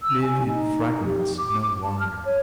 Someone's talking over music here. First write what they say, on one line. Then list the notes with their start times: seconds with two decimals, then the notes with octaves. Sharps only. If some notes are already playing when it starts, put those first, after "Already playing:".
Live in fragments no longer.
0.01 E6
0.21 G#5
0.46 D#4
1.05 G4
1.38 D6
1.83 A5
1.99 F6
2.25 C#5